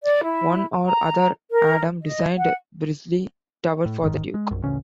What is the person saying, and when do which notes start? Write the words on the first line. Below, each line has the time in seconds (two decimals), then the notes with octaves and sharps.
One or other Adam designed Brizlee Tower for the duke.
0.02 D5
0.22 E4
0.84 A#5
1.50 A#4
2.01 D#5
2.36 F#5
3.85 A2
4.02 F#1 G#2 D#3
4.34 G#3
4.51 A#1 F#2
4.63 A1 D2 C#3 C#4